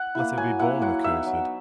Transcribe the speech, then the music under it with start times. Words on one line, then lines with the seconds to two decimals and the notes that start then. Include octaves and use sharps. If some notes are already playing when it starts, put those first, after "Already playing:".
Let her be born accursed.
Already playing: F#5
0.15 A#3 E4
0.38 F#3 G#5
0.59 A#3 E4 F#5
0.82 F#3 F#5
1.04 B3 D#4 E5
1.27 F#3